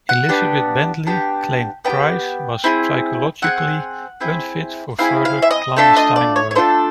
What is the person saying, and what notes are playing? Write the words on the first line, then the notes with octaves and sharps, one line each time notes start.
Elizabeth Bentley claimed Price was psychologically unfit for further clandestine work.
F#5
B3 D4 G4
B3 D4 G4 G5
B3 D4 G4 G5
C4 E4 G#4
C4 E4 G#4 F#5
C4 E4 G#4
C4 E4 G#4 F5
F5
E5
D#5
A3 D4 F4 A4 E5
D#5
D5
C#5
C#5
A3 D4 F4 A4 C5